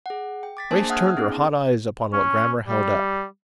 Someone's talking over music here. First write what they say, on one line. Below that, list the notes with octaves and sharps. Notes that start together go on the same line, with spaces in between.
Grace turned her hot eyes upon what Grammer held up.
G#4 F#5
G5
D6 A6 B6
A#3 D4 G#4 C5 G#5 A5
E5 F#5 D#6 F6 F#6 G#6
B3 C#4 D#4 G#4
C#4
G3